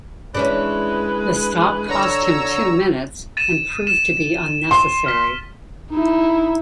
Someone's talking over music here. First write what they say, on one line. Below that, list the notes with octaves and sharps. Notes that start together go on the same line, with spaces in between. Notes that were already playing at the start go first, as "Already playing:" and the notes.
The stop cost him two minutes, and proved to be unnecessary.
E3 G#3 C#4 D4 B4
D3 C#5 A#5 E6
A6 D#7 E7
E7
C6
F6 B6
D#4 E4